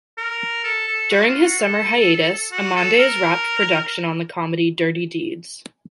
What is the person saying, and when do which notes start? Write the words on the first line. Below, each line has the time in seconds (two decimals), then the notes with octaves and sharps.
During his summer hiatus, Amandes wrapped production on the comedy "Dirty Deeds".
0.18 A#4
0.64 A4
0.88 A4
1.11 F#4
1.27 F4
1.43 F#4
1.59 A4
2.52 F#4
2.77 A4
2.99 A#4